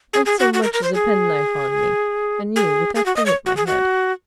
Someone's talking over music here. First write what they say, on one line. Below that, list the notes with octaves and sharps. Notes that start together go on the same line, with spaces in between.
"Not so much as a penknife on me, and you with that thing at my head."
G#4
G#4
F#4
F#4
A#4
A#4
C5
G#4
G#4
G#4
F#4
D#5
C#5
F#4
G#4
F#4